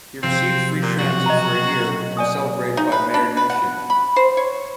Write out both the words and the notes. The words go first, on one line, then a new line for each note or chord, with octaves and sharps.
He received free transit for a year and was celebrated by mayor Nenshi.
C3 F3 C4 F4
A#2
B2 F#3 C4 F#4
D#5 A#5
D5 G#5 D#6
D#4
B4
D4
B4
F#5
B5
C5
C#5